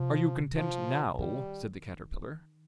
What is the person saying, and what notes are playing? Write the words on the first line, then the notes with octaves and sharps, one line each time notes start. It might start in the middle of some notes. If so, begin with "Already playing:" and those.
'Are you content now?' said the Caterpillar.
Already playing: C3 F3
F3
D#3 G3